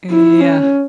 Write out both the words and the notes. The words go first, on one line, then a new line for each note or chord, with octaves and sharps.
Uh, yeah.
E4
C#4